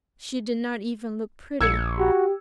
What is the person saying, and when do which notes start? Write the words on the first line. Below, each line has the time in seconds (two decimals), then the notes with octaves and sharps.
She did not even look pretty!
1.61 A#1 E6 G#6 C#7
1.98 F#4 G4